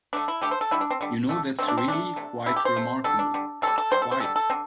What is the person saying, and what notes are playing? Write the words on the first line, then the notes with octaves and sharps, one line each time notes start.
You know that’s really quite remarkable — quite.
D3 A3 D4
E4
D3 A3 G4
C5
A4
D3 G3 E4
D4
C4
D3 G3
D3 A3
D3 A3 C4
D4
C4
C3 A3 D4
C3 A3
C3 A3 E4
G4
C5
C3 A3
D3 G3 A4
D4
D3 G3
C3 G3 A4
A4
C3 G3 C5
A4
C5
D3 G3 A4
A4
D3 C4